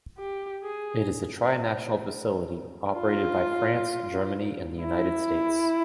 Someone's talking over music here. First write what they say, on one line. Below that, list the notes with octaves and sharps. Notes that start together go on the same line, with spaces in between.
It is a tri-national facility operated by France, Germany and the United States.
G4
G#4
F4
E4